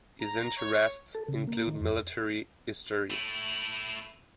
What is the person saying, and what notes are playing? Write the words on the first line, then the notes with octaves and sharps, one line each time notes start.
His interests include military history.
A#5
C#5
A4
C#3
A#3
D#3
F2
A3 E4